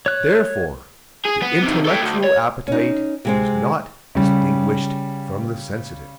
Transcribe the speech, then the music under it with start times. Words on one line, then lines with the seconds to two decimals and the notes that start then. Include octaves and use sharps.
Therefore the intellectual appetite is not distinguished from the sensitive.
0.06 C#5 F#6
1.26 G#4
1.42 B3
1.63 C3 D#3
1.85 A4 G5
2.00 D2
2.24 C#5
2.68 C#4 D#4
3.25 C3 G#3 C4
4.15 C#3 G3